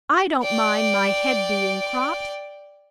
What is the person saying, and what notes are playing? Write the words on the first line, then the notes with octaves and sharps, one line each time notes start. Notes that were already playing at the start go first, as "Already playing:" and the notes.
I don't mind my head being cropped.
D5 G5